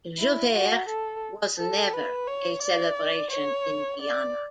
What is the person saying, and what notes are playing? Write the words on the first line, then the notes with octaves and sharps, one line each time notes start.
Jouvert was never a celebration in Guyana.
E4
F#4
A4
A4
B4
C#5
D5
C#5
D5